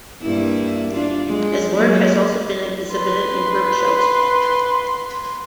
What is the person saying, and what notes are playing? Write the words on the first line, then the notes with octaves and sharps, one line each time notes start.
His work has also been exhibited in group shows.
G2 A#3 E4
D4 F4
G#3
F#3 G#3 A#3
B4 C6